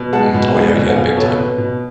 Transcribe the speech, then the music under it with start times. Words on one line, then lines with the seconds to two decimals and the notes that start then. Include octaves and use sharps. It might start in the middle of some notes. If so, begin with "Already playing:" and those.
Mh oh, yeah yeah, big time.
Already playing: B2
0.13 G#3 F#5 A5
0.34 B2
0.55 G#3
0.76 B2
0.88 F#5
0.95 B2 F5 G#5
1.17 B2 A4 C#5
1.38 B2 B4
1.58 B2